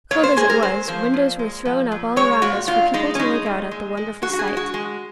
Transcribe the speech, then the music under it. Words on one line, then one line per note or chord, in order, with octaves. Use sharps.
Cold as it was, windows were thrown up all around us for people to look out at the wonderful sight.
A#2 C#5
C5
G#3 G#4
A#4
A#2 C5
F3 C5
A#2
G#3
F3
A#2
G#3 C#5
A#2 F#4
A#2 F4
G#3 D#4
C#4
G#3 D#4
A#2
G#3
G#3
G#3 F#4
F#4
G#4
G#3
F#4
G#3